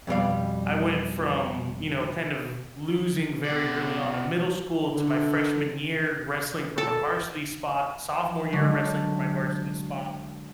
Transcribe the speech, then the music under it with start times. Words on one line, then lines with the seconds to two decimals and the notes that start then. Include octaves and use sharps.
I went from, you know, kind of losing very early on in middle school to my freshman year wrestling from a varsity spot, sophomore year wrestling for my varsity spot,
0.07 F2 B2 G3 F5
3.45 B2 D5
4.94 D3
6.78 A4
8.52 D3 F#3 G#3